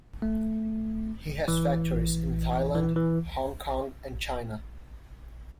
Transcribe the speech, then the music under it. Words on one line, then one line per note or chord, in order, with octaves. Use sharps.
He has factories in Thailand, Hong Kong and China.
A3
E3
E3
E3